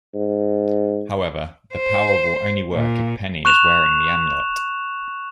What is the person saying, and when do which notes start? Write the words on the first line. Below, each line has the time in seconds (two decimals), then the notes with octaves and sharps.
However, the power will only work if Penny is wearing the amulet.
0.15 G#2
1.75 C5
2.73 A#2
3.45 C#6 F#6 E7 F7